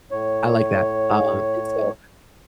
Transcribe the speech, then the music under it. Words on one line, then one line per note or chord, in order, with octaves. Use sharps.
I like that, um, and, so,
A2 C#5